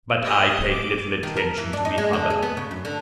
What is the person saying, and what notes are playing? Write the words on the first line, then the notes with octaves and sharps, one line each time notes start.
But I paid little attention to the hubbub.
G4 D#5
D6
D#3
A#4
E3
D4
D#4
G#3
D3
G#4
B3
C#3
F#2
D3